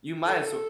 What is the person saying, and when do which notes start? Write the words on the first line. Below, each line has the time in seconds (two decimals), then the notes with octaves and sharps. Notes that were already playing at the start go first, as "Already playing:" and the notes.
you might as well
0.24 A4